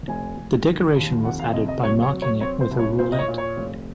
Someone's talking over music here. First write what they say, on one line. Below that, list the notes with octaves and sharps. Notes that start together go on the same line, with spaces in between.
The decoration was added by marking it with a roulette.
F1 G#5
F1
D#3
D#2
F2 F#5
F5
C3 D#5
D#5
F#3 C#5
C#5
F#3
C#5
C4 C#5
C5
C2
C#5
A#2 C5
D#5
C#5
A#2
C#5
F1